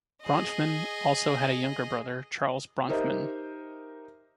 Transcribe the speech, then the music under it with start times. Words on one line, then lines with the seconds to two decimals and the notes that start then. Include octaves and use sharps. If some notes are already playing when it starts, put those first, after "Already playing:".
Bronfman also had a younger brother, Charles Bronfman.
0.23 G#4 D#5
2.89 D#4 G4 A#4 C5 D#5 E5